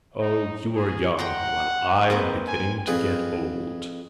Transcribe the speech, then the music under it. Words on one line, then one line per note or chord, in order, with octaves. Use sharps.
Oh, you are young while I am beginning to get old.
D#4
G#4
F#5 G5 A#5 C6
A#3 C4 B4
G#5
F2 G#4 B4